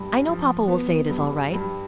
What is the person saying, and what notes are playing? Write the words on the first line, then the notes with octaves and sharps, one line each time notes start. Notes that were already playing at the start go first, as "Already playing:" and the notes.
I know Papa will say it is all right.
Already playing: G2
F3
B3
G2
G2